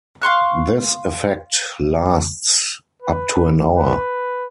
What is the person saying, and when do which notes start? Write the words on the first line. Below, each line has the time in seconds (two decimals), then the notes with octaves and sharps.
This effect lasts up to an hour.
0.22 F5 C6 C#6 F#6
3.02 B4
3.76 B4